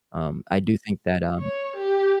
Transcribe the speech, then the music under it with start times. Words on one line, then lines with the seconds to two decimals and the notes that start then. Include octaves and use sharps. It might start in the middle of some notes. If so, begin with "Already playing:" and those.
um, I do think that, um,
1.39 C#5
1.77 G4